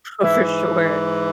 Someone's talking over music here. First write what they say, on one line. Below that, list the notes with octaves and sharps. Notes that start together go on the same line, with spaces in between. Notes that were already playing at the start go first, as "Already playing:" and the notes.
Oh, for sure.
G#2 E3 E4